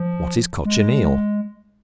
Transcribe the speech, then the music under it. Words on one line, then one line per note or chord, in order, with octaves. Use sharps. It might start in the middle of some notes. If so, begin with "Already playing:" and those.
What is Cochineal?
Already playing: F3
G#3